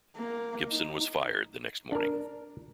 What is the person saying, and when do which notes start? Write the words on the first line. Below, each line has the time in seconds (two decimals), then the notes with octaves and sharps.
Gibson was fired the next morning.
0.16 A#3
0.69 D#4
1.92 D4 A#4